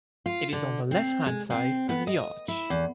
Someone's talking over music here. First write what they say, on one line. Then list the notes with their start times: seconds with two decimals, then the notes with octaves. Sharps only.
It is on the left-hand side of the arch.
0.26 F4
0.53 D3
0.91 C4
1.26 G#3
1.50 C4
1.89 B3
2.07 D#5
2.48 E4
2.70 E2